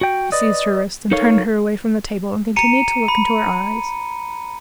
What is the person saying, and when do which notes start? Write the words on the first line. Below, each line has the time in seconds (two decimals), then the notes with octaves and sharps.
He seized her wrists and turned her away from the table and continued to look into her eyes.
0.01 F#4 G5
0.32 B4 D5 D#5
1.11 D#4 A4 A#4 C#5 F5
2.56 A#5 C#7 D#7
3.08 B5